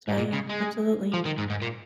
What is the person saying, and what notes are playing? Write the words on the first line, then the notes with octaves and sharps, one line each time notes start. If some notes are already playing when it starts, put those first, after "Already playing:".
So, yeah, absolutely.
G#2
A#2
C#3
G#3
F3
D#3
G#2
G#2
A#2